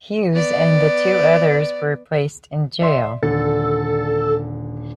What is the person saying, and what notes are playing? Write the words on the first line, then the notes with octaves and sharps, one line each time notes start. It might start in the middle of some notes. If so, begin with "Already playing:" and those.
Hughes and the two others were placed in jail.
B3 D5
D5 E5 C6
D#1 D3 A4